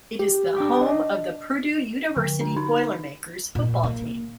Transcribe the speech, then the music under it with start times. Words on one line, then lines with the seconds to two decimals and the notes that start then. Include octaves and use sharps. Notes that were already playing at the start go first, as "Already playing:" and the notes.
It is the home of the Purdue University Boilermakers football team.
0.19 G4
0.56 D4 G5 D6
0.81 D5 D#5
2.17 D3
2.41 D4
2.57 D#4
3.55 A#2
3.84 A#3